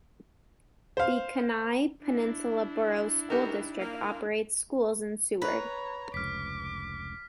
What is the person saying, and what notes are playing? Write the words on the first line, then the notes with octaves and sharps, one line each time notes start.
The Kenai Peninsula Borough School District operates schools in Seward.
C5 F5
D4 E4
E2 D#4 F#4 G4 A#4 B4
A#3
B4 C#5 A#5
F1 C#2 D6 F6 B6